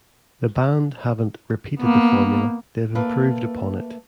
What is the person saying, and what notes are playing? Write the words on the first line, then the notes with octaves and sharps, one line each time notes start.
The band haven't repeated the formula, they've improved upon it.
A#3 B3
A3 A#3 B4